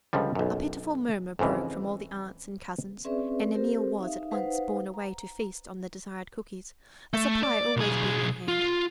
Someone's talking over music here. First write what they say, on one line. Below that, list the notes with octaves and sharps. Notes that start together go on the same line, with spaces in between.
A pitiful murmur broke from all the aunts and cousins, and Emil was at once borne away to feast on the desired cookies, a supply always being on hand.
C#2 D3 F3 G3
B1 F#2
F2 G#2 C#3 E3
C4 C#4 G#4 B4 D5 E5
C4 G4 A4 A#4 C5
D#4 E5 F5
D#4 B4 C5 F5 F#5
A#5
A3
D5
B1 G#4
F4